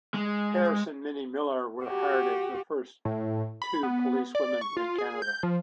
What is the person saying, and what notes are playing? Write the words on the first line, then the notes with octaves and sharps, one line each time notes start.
Harris and Minnie Miller were hired as the first two policewomen in Canada.
G#3
F#4 G4
A2
B5
B3
D5
C#6
F4
G#4
G6
F3